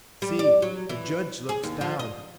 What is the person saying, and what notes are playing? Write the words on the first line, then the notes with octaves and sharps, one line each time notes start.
See! the Judge looks down ...
G3
D5
F#3
E3
G#4
D#2
F3
D#5